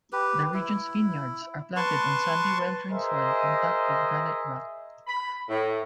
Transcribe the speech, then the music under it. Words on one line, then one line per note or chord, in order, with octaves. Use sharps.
The region's vineyards are planted on sandy well-drained soil on top of granite rock.
G4 B4
E4
B4 A5 C6 C#6
G#4 A#4 C5 D#5 E5
B5
A2